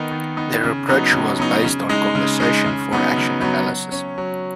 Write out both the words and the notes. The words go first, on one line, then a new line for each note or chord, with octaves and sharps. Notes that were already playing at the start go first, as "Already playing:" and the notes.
Their approach was based on conversation-for-action analysis.
Already playing: D#3 B3 D#4
D#3
B3 D#4
C#3
F#3 B3 D#4
C#3
F#3 B3 D#4
C#3
G#3 D#4
C#3
G#3 D#4
C#3
F#3 B3 D#4
C#3
F#3 B3 D#4
F#3
C#4
F#3